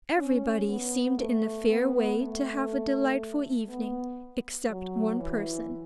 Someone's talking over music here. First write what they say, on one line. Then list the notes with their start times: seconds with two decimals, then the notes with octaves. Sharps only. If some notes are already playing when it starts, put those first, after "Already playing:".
Everybody seemed in a fair way to have a delightful evening except one person.
0.18 C#4
0.69 B3
1.18 A3
1.69 B3
2.19 A3
3.69 B3
4.69 F#3
5.19 E3